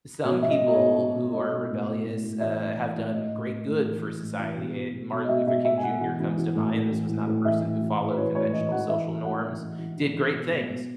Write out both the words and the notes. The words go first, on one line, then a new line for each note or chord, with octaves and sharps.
some people who are rebellious, uh, have done great good for society, eh, Martin Luther King Junior comes to mind. This was not a person who followed conventional social norms, did great things.
B2 C#5
B2 E5
D#5
B2
D#5
C#5
B2
B2
B2
B2 D#5
B2
A2
A2
A2
A2
E3 E5
A2
E3
A2
A2 D#5
A2
A2
A2
E3
E3
A2
E3
B2
B2
B2
B2
D#5
B2 E5
B2 E5
B2 E5
G#5
B2 F#5
E3 F#5
E3
E3
A2
A2
E3
A2
A2
E3 E5
A2
E3
A2
B4
E3 C#5
A2 C#5
E3 D#5
E3 F#5
E3 E5
E3
A2 F#5
E3
E3
E3
E3
E3
B2
B2
B2